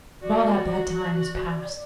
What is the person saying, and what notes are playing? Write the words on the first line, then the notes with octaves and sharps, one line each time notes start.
But all that bad time is past.
F#4 D5
D5